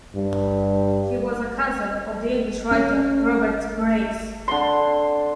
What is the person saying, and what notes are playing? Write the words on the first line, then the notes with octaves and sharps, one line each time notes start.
He was a cousin of the English writer Robert Graves.
G2
C#4
D3 C6